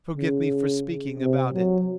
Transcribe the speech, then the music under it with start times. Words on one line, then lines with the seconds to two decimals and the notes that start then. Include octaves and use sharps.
Forgive me for speaking about it.
0.18 C#3
1.20 C3
1.54 F#3